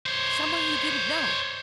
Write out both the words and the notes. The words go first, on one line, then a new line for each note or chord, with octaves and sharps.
Someone you didn't know?
C5 C#5